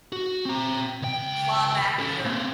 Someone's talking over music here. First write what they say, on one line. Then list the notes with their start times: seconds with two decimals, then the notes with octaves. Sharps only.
claw back your
0.13 F#4
0.46 C4 A#5
1.02 C#2 G5
1.99 C#4 A4
2.26 A#3 C4